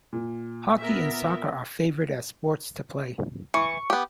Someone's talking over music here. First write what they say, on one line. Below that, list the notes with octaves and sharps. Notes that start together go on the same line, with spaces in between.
Hockey and soccer are favoured as sports to play.
A#2
B3 A#4 E5
E3 C#6
B3 G4